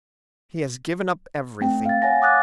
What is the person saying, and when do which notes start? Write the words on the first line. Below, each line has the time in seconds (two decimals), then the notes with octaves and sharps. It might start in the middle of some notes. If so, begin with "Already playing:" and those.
He has given up everything.
1.61 A3 C4 G5
1.85 F5 A6
2.02 C#5 F5 F#5 G#5 A#6
2.22 D6 D#6 F#6 A6